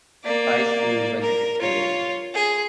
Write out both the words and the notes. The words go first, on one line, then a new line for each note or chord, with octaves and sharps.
High School Valedictorian.
A#3 D5
A#4
F4 C#5
G#4